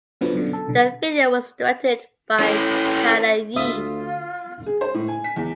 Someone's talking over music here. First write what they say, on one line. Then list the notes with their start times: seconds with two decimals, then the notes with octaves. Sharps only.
The video was directed by Tyler Yee.
0.21 G2 B2 D3 F3 F#3 B3
0.35 F#2 B2 D3
0.53 A4
0.68 B1 D3
2.40 E3 C#4
3.56 D2 F4 E5 D#6
4.66 G#4
4.81 C5
4.94 A2
5.08 G#5
5.24 B6
5.36 E2